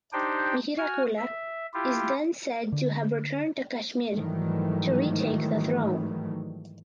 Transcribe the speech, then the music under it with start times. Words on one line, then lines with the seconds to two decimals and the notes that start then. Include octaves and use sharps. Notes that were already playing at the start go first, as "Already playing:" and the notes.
Mihirakula is then said to have returned to Kashmir to retake the throne.
0.13 D4 D#4 G4 C5 G5
0.78 F#4 G#5 F6
1.17 E5
1.74 E4 F4 G4
2.72 D3
4.14 G#2 D#3 E3 F#3 G3 A3